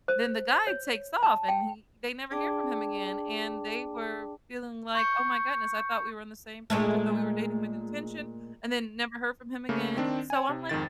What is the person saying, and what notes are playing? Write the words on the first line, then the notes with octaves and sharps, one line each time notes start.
then the guy takes off and he they never hear from him again. And they were feeling like, oh my goodness, I thought we were on the same page. I thought we were dating with intention and then never heard from him again. So I'm like,
C5
C#5
A5
G5
D4 G#4 D5 G5 A5 D6
C#6 G6 C#7
A#2 G#3 A3
C#3 A3 A#3
D#3 C4 D4
C#5 G#5
C3
F2 G#2 D#3 A6